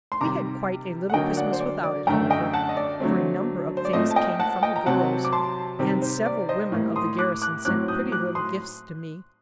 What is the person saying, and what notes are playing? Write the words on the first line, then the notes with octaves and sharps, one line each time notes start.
We had quite a little Christmas without it, however, for a number of things came from the girls, and several women of the garrison sent pretty little gifts to me.
C6
C3 D#3 G3 A#5 D6
F#5
D3 F#3 A#3 D#5 G5
D5 F#5
C5
D5
D5
F#2 D3 A3 G5 A#5
D#5 G5
F#5 A5
D#5
D5
D3 F#3 A3 C4
C5
D5
A#2 A3 C4 C5 D#5
A5
D#5 G5
F#5 A5
D#5 G5
A#5
C3 F#3 C4 F#5 A5
D6
A5 C6
C3 D#3 G3 C4
C5
D5
C5 D#5
A2 G3 A#3
C6 D#6
D6 F#6
D6 F#6
A2 F#3 C4 D6 F#6
D#6 G6
D6 F#6
C6 D#6